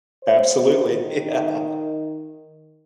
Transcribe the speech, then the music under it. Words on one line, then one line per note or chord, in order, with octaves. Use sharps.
Absolutely, yeah.
C5
D#3